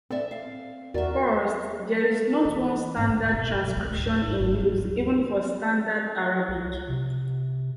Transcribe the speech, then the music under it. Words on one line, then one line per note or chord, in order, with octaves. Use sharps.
First, there is not one standard transcription in use even for Standard Arabic.
C4 A4 D5 E5
F5
E2 F#4 A#4 D5 E5
E3
G#2
D3
B2
F#2
D2
A1
G#2
G#1
C4
D#2
C2
C3